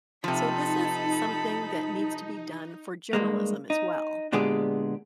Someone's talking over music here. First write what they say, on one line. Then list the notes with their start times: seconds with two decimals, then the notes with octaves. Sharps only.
So this is something that needs to be done for journalism as well.
0.24 C3 F3 D#4 A4 B5
3.13 G2 G#3 A#3
3.70 D#4
4.32 A#2 D3 G#3 B3 G4 G#4